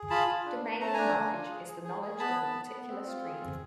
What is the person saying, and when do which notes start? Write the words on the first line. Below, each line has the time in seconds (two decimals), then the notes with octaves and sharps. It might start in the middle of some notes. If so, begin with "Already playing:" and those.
Domain knowledge is the knowledge of a particular stream.
Already playing: G#4
0.10 F4 A5 B5
0.27 F4
0.46 D4
0.62 A3
0.80 A3 A#5
0.87 A5
0.93 D4 G#5 A#5
1.15 D4
1.32 F4
1.50 G#4
1.67 G#4
1.84 G#4
2.02 G#4
2.19 B3 A5 B5
2.37 B3
2.55 B3
2.72 B3
2.89 C4
3.07 F4
3.24 G#4
3.42 C4